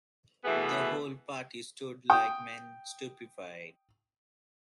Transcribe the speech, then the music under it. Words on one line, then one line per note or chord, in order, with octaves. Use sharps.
The whole party stood like men stupefied.
B2 E3 A3 B3 G#4
G5 D#6